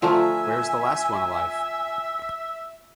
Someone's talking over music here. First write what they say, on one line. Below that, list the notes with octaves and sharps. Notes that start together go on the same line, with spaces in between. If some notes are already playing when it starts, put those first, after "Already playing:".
Where’s the last one alive?
D3 F3 A3 F4 E5 G#5 A#5